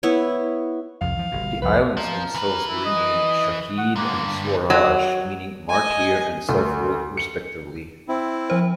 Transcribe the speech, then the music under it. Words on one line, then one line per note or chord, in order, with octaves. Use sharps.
The islands themselves were renamed "Shaheed" and "Swaraj", meaning "martyr" and "self-rule" respectively.
B3 E4 B4 C#5
C2 F2 F5
E3 F3
G1 B2
C2 F2 F3 B4
F3 A#4
E3 B4
E4
D#5
F#5
G2 D3 A#3
F#3
D#5 G#5
D2
C#7
C4 E4
F3 C5